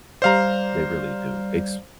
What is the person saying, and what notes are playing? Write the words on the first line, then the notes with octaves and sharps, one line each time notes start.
they really do. Ex
G3 C5 D5 F5 A#5